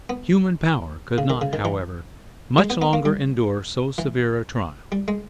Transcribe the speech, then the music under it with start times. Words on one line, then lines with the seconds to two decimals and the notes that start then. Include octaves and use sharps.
Human power could not, however, much longer endure so severe a trial.
0.09 B3
1.18 C#3
1.30 D#3
1.41 C#3
1.53 D#3
1.65 E3
2.58 G#3
2.70 B3
2.82 B3
2.93 A#3
3.05 G3
3.98 E3
4.92 G3
5.08 G#3